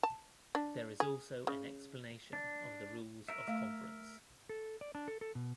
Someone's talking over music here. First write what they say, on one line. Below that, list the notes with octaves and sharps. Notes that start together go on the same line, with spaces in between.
There is also an explanation of the rules of conference.
A5
D4
G#4
C#3
D4
A#4 E5
A3 F5
A4
D5
D4
A4
A4
B2